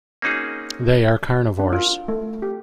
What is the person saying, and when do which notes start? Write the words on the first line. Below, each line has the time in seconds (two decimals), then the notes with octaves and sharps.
They are carnivores.
0.22 A#3 C4 C#4 D#4 F#4 G#4
1.59 D4
1.73 F4
2.08 A3
2.42 G4